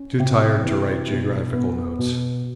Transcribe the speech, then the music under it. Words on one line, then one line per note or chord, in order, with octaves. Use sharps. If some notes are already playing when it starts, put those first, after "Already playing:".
Too tired to write geological notes.
Already playing: C#4
C3
E3
B2
B3
B2